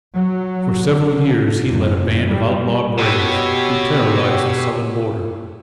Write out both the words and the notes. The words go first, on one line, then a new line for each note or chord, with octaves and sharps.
For several years he led a band of outlaw braves, who terrorized the Southern border.
F#3
D3
F#1
G3
B2 G4 C#5 E6